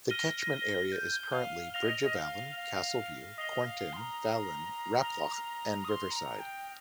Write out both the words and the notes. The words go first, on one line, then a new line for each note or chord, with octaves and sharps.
The catchment area is currently: Bridge of Allan, Castleview, Cornton, Fallin, Raploch and Riverside.
F6 A#6 D#7 G7
G6
F5
F5 F6 A#6 F7
D#5
D#5
F5
F5
D#5 D#6 C7 G7
F5
C6
A#5
F6 A#6 F7
D#6
C6
A#5
G5